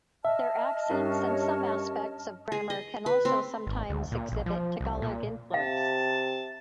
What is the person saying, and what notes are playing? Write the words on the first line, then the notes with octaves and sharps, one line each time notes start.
Their accents and some aspects of grammar can also sometimes exhibit Tagalog influence.
D#5 E5 A5 F6
G2 C#4 G4 A#4 C#5
G#4
D#5
B4
C4
G#1
D2
A#2
A#1
F3
C2
A#2
C3 F5 A5